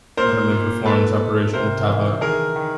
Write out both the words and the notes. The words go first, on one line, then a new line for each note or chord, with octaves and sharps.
Edelmann performs the operation on Talbot.
A#2 A#4 C5
A#2
A#2 A4 B4
A#2
C3 A#4 C5
E3
D#3 G#4 A#4
D#3